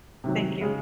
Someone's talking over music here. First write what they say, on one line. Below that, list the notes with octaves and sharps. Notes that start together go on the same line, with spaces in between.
Thank you.
C3 D#3 F#3
C#3 G#3